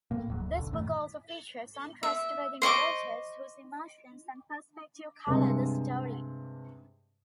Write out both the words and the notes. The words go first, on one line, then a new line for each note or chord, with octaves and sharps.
This book also features "untrustworthy narrators" whose emotions and perspective colour the story.
A2 A#3
D1 G#2 F#3
D2
F#1 B1 D3
F#2 A2 D#3 A3
E5
C5 D#5 C#6 D6
G2 C3 G#3